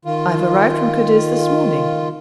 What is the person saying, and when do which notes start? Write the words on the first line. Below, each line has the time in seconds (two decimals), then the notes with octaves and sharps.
I have arrived from Cadiz this morning.
0.05 D#3 F4